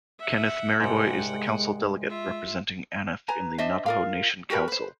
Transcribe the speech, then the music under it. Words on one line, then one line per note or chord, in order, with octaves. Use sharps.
Kenneth Maryboy is the council delegate representing Aneth in the Navajo Nation Council.
E5 F#5
C2 G#2 G#3 F#5 G5
F4 E5
B4 G#5 A#5
D4 C5 D#5 E5
F4 A#4 F5
F#4 G4 A#4 B4
B4 C5